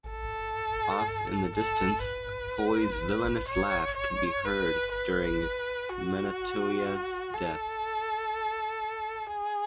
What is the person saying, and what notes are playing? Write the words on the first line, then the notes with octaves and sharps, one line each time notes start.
Off in the distance, Hoi's villainous laugh can be heard during Minotia's death.
A4
A4
B4
C#5
C#5
B4
B4
F#4
A4
G#4